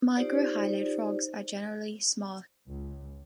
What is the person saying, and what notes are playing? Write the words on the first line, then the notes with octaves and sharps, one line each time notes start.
Microhylid frogs are generally small.
D#4 F4 G4 C5 D5
C#2